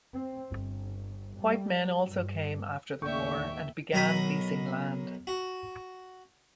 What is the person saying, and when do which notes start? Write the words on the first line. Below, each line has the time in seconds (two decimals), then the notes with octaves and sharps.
White men also came after the war and began leasing land.
0.13 C4
0.50 G1
1.41 G3
2.08 G2
3.02 D#2 A2 G4 D5 E5 C#6 G6
3.93 B1 F#3 A#4 D#5 B5
5.27 F#4